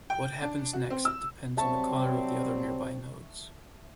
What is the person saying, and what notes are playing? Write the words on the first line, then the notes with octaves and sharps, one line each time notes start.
What happens next depends on the color of other nearby nodes.
G5
D4
F#4
C4
E6
F#3 G3 C4 E5 A5 C#6